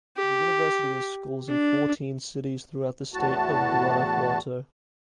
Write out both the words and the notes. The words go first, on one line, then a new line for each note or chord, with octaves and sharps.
The university has schools in fourteen cities throughout the state of Guanajuato.
G4
D4
E2 A2 F#4 A5